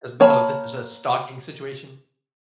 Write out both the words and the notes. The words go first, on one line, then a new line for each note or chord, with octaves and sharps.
'Cause, no, this is a stalking situation.
A#3 C#5 A5 B5